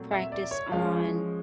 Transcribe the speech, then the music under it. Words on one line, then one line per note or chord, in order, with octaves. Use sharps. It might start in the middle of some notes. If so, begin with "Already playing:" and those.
practice on
Already playing: A#2 F#3 A3 C4
E5
D5
C#5
F3 G#3 C#4 F5